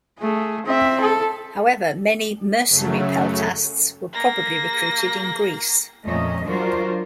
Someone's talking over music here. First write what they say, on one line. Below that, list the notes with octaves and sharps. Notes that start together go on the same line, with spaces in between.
However, many mercenary peltasts were probably recruited in Greece.
A3 G#4
C4 E5
A4
F#2 C#3 F#3 A3
A#3 A#6
F2 A#2 A3 A#3 C#4 D#5
F#3 D4 F4 F#4 A#4 C5